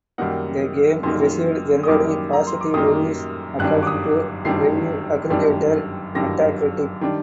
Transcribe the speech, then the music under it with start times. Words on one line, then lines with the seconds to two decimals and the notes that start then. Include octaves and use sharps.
The game received "generally positive reviews" according to review aggregator Metacritic.
0.18 F#2 D#3 G3 A#3 D#4 F#5
1.03 F#2 D#3 G3 A#3 D#4 C6
1.83 D#6
1.88 F#2 D#3 G3 A#3 D#4 D6
2.33 A#5
2.47 C6
2.61 D6
2.74 F#2 D#3 G3 A#3 D#4 D#6
3.59 G1 F#2 D#3 G3 D4 F#6
3.83 D6
3.87 D#6
4.44 G1 F#2 D#3 G3 D4 C7
5.30 G1 F#2 D#3 G3 D4
6.15 G1 F#2 D#3 G3 D4 A#6
7.01 D#3 G3 D4